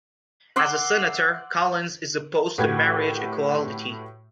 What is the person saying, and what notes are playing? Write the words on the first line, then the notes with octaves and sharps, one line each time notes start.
As a Senator, Collins is opposed to marriage equality.
F#5 C6 D6 E6
A2 F#4 G4 B4 F#5 G#6